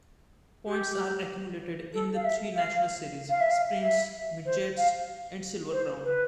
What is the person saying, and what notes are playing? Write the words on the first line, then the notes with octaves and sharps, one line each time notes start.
Points are accumulated in the three national series: sprints, midgets, and silver crown.
G4
A4
F5
E5
F5
F5
E5
F5
E5
C5
F5
C5
B4